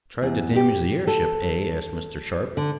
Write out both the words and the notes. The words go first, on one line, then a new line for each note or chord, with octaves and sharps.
"Tried to damage the airship, eh?" asked Mr. Sharp.
E2
G4
A4
D3